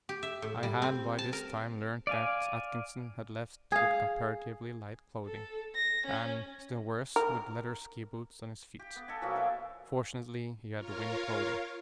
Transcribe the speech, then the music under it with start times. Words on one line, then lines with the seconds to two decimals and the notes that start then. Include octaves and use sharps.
I had by this time learnt that Atkinson had left with comparatively light clothing and, still worse, with leather ski boots on his feet; fortunately he had wind clothing.
0.09 G4
0.23 E5
0.42 A2
0.63 G3
0.82 C4
1.18 A5
1.33 A#4
2.07 D5 F5 G#5
3.72 G#4 F5
5.26 A4
5.75 A#6
6.07 C#4
7.16 A#4
8.79 G4
8.96 B3
9.08 A4 D#5 G#5
9.22 B2 F3 F#3 A#3
9.35 A4 A#4 E5 F5
10.76 F4 A#4 C#5 F5